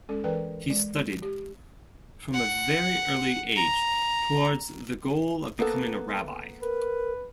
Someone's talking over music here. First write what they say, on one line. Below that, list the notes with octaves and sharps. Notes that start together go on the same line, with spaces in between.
He studied, from a very early age, towards the goal of becoming a rabbi.
G#3 C#4 A4
E3 A#4 B4 D5 G5
G#3
G4
F#5
A#5
A#3 B3 A4
A#4 B4